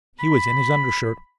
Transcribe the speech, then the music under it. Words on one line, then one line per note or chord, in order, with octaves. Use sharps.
He was in his undershirt.
B5